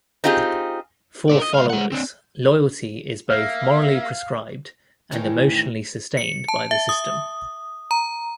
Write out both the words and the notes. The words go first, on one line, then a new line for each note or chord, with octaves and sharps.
For followers, loyalty is both morally prescribed and emotionally sustained by the system.
C4 D#4 F4 G4 G#4
A#4 D5
D#5
C#2 F5
G#3 F#5
C4 D4
A#3 E5 F5 F6
E2 A2 D#3 E3
C#7
A5
E5
D#6
A#5